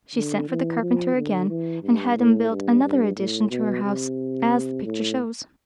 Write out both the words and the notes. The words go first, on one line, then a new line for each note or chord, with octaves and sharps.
She sent for the carpenter again, and had him build another addition to her house, as the picture shows.
D3
E3
F3
D3
E3
G2
A2
G2
G2
A2
B2
C3
A2